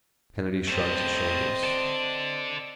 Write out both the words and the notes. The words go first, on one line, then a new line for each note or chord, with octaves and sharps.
Kennedy shrugged his shoulders.
G3 A3 C4 D#5
A4 D5